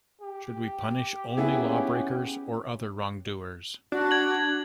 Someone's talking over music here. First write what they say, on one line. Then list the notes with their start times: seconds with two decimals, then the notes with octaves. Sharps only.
Should we punish only lawbreakers, or other wrongdoers?
0.21 G4
1.37 B3 C#4 E4 G#4
3.92 D4 F#4
4.11 G#6 F#7